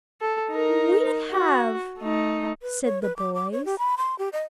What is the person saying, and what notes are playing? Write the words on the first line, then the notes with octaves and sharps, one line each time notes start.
"We have," said the boys.
A4
D#4 A#4
F#4
A3 D#4
B4
C#5
B4
D6
D6
C#5
G4
B5
C6
G4
D#5